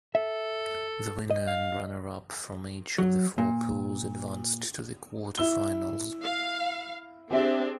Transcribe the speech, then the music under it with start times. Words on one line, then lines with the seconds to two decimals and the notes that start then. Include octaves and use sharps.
The winner and runner-up from each of the four pools advanced to the quarter-finals.
0.15 A4 E5
1.31 D#5
1.47 F5
2.98 F#3
3.38 A#2
5.37 E4 E6 G7
6.23 F5
7.31 C4 D4 G4 G#4 E5